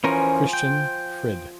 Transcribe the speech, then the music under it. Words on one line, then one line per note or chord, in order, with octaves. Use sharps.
Christian Frid.
E3 F3 C#4 A#4 C5 G#5
G5